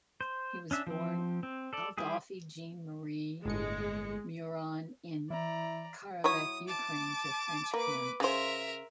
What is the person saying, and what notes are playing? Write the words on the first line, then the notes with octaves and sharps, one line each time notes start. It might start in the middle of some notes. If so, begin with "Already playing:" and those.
He was born Adolphe Jean-Marie Mouron in Kharkiv, Ukraine, to French parents.
C5
C#4 D4 E5
F3 C4
C4
A4 D5
G3 E4 G4 G#4
G1 A2 G#3 C#7
E3 E4 D5 A#5
F#3 E4 C#5 D#6
A5 D6
A#3 B4 D6
C#3 A#4 C5 E5